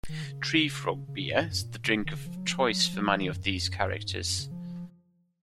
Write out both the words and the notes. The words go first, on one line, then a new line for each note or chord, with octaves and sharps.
"Tree Frog Beer" is the drink of choice for many of these characters.
D#3
C#3
C#3
C#3
G#2
G#2
F#2
A#2
C#3
D#3
C#3
F3
F#3
F3
F#3
F#3
F3
F#3
F3
D#3
F#2
F#2
F2
F#2
F#2
G#2
F#2
F2
F#2
C#3
F3